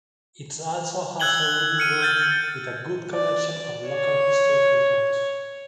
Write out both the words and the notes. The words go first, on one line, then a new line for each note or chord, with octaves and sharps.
It also has a reading room with a good collection of local historic records.
E6 F#6 G#6 F#7 G7
F6 C#7 D#7
F6 G6 A6
D5
C#5